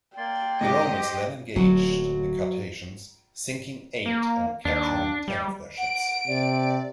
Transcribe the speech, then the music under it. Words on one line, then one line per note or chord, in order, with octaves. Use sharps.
The Romans then engaged the Carthaginians, sinking eight and capturing ten of their ships.
A#3 D5 G5 C6
G#2 G4 C5 D#5
D1 A#2 F#3
A#3
D#2 D4
G3
F#5 D7
C3 D5